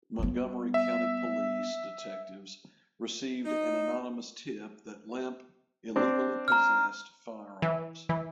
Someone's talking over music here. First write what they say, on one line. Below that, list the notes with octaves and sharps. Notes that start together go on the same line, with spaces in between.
Montgomery County Police detectives received an anonymous tip that Lemp illegally possessed firearms.
G3 B3
E5
D#4
C4 D4
A#5 F6
E3
E3